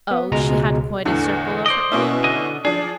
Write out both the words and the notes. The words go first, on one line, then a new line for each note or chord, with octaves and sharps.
Oh, she had quite a circle of her own.
B3
C#2 B2 G#3 A#5
E2 A2 D3
C5 D5 D#5
B2 C#4 E4
D3 D#5
F3 D4 G#4